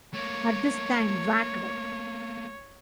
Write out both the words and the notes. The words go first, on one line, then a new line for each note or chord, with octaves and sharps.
At this time Whacked!
A3 A#3 C#5